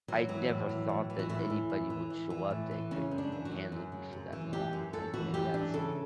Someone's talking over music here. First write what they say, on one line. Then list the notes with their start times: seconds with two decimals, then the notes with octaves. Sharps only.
I never thought that anybody would show up that could handle me for that long and and that's
0.08 E3 F#3
0.29 E3 F#3
0.49 A2
0.69 E3
0.89 A2
1.10 E3
1.19 F#4
1.29 A2 E4
1.50 E3
1.70 A2
1.90 E3
2.10 E3
2.30 E3
2.51 A2
2.71 E3
2.91 C#3 C#4
3.11 F#2
3.18 D4
3.32 E3
3.45 F#4
3.51 F#2
3.72 F#2
3.92 C#3
4.13 F#2
4.33 E3
4.53 F#2 G4
4.73 F#2
4.93 F#2 A4
5.14 E3 F#4
5.34 F#2 G4
5.54 E3 D4
5.73 C#3 A4